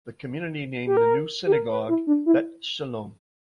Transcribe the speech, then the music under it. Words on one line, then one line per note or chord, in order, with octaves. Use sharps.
The community named the new synagogue "Bet Shalom".
G4
A#4
G4
A#4
B4
E4
D4
E4